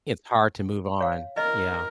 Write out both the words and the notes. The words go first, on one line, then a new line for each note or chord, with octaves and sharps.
It's hard to move on, yeah.
C#5 F5
A#4 D#5